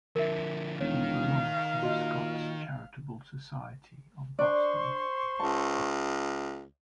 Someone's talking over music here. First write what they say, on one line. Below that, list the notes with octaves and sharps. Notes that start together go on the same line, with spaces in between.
He belonged to the Scots Charitable Society of Boston.
D3 F3 A#4 E5
E1 D#3 C#5 F5
A#2 F#4 D#5
D4 C5 D5 C6 C#6
C#2 A5